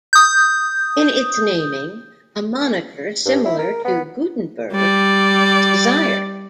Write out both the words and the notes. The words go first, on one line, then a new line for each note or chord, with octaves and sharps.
In its naming, a moniker similar to "Gutenberg" was desired.
D#6 G6
G2
E4
A#4
B3
G3 D5